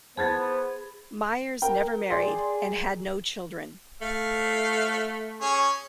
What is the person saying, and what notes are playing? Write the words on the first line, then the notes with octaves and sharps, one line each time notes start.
Myers never married, and had no children.
B3 G#4 C5 A5 B5 G#6 A6
A#4 G5
G#4 D5 C6
A3 F5
C#4 G#4 C#5